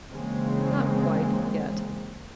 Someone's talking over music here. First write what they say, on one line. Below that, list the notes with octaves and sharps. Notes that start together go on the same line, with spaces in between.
'Not quite, yet.
C#3 E3 G#3 A#3 C4